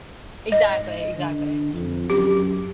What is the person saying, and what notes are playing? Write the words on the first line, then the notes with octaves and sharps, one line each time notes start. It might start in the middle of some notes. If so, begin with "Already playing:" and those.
Exactly, exactly,
G#2 D#5
D3
F2
F#2 G4